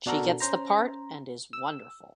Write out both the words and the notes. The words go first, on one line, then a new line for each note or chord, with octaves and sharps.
She gets the part and is wonderful.
B2 D4 F#4 A4 A#4
C#4 C5 A#5
E6